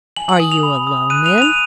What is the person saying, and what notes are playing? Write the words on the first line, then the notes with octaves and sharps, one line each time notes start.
'Are you alone, then?'
G#5 F#7
F#7
D#6 F#7
F7
B5
D#6
F#6 D#7
F7
F#6 D#7
F7